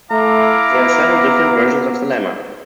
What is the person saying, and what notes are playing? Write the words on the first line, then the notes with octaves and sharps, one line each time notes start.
There are several different versions of the lemma.
A3 E4 F5 A#5 D6
B3